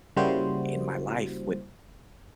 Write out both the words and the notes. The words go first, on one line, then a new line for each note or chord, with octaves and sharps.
in my life, what
C#3 G3 A#3 E4 F#4 C5